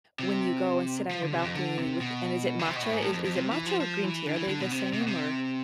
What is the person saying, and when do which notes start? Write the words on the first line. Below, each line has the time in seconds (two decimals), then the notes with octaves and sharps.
when you go and sit on your balcony with and is it matcha, is is it matcha or green tea, are they the same, or
0.19 C3
1.11 F3
1.22 D3
1.33 C3
1.44 F2
1.55 D3
1.78 C3
2.01 B2
2.59 D3
2.68 C3
2.76 B2
2.82 A2
2.91 G#2
3.02 A2
3.13 F2
3.25 F2
3.35 C3
3.51 E3
3.66 F3
3.81 F3
4.04 E3
4.26 D3
4.37 E3
4.48 D3
4.60 B2
4.71 C3
4.93 C3
5.01 B2
5.07 C3